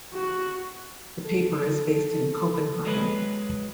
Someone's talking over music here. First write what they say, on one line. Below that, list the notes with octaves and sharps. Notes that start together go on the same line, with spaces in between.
The paper is based in Copenhagen.
F#4
A4
F#3 G#3 B4